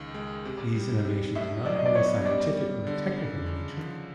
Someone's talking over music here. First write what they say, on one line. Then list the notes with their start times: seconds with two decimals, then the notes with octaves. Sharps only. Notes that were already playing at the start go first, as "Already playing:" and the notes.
These innovations are not only scientific or technical in nature.
Already playing: C#2 D#3
0.14 G#3
0.45 C3
0.75 G3
1.05 C3
1.35 A2 E5
1.65 F#3 D5
1.76 D#5
1.86 D5
1.95 B3 C#5
2.26 G3 D5
2.56 G3
2.87 D3
3.16 C#3
3.46 C#3
3.77 F3